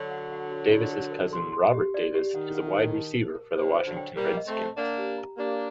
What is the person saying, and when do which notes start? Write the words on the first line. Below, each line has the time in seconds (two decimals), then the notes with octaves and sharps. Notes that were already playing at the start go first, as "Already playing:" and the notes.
Davis' cousin, Robert Davis, is a wide receiver for the Washington Redskins.
Already playing: D3 F#3
0.11 F#5
0.32 F#5
0.52 F#4
0.72 A#5
0.93 A#4
1.12 A#4
1.33 C6
1.53 C6
1.73 G4
1.94 D5
2.15 G4
2.35 D#3 F#5
2.55 F#5
2.75 A5
2.95 A5
3.15 A#4
3.35 A#4
3.56 D3 F#3 C5
3.77 C5
3.86 D3 F#3
3.97 G5
4.16 G3 A#3 A#4
4.37 D#5
4.47 A3 C4
4.57 A5
4.77 A#3 D4 F#5
4.98 G4
5.18 A#5
5.38 A#3 D4 G4